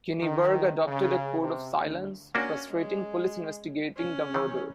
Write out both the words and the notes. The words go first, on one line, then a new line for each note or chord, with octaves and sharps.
Kinniburgh adopted a code of silence, frustrating police investigating the murder.
D#3
C#3
C3
D2
A#3 C#4 D4 F#4
G#3
C#4
D#3 E3